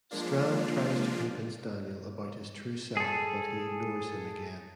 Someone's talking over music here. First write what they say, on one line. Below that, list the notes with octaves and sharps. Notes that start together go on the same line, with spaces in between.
Strand tries to convince Daniel about his true self but he ignores him again.
F3 G#3 A#3 D4 F4
G#4 A4